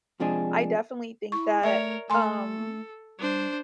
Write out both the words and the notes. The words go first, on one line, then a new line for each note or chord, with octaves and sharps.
I, definitely, think that, um,
C3 F3 G#3 D4 G#4
E4 C#6
A3 A#4 C#5 D5 E5
A3 A4 G#5 C6
G3 D4 C5